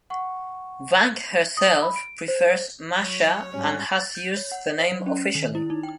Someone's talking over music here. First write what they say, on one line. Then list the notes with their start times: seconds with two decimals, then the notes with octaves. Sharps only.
Vang herself prefers Mascha and has used the name officially.
0.10 F#5 C#6
1.57 D#6
1.82 B5
1.96 D7
2.28 C5
3.00 F#3 C#5
3.52 G#2 G3 C#4
4.01 A6
4.15 G6
4.37 C#5
4.52 F#5
4.67 D5
4.79 C5
4.92 F#3
5.06 C#4
5.35 D#3
5.55 E4
5.70 D#4
5.83 G5